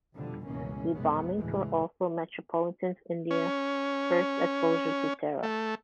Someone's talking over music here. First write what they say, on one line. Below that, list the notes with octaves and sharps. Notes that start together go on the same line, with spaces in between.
The bombings were also metropolitan India's first exposure to terror.
F1 E2 B2 D3 F3 G3
G1 C#2 B2 E3 A#3 C#4
F1 B1 C3 G#3 B3
D2 A2 C#3 E3 G#3
C#4
A3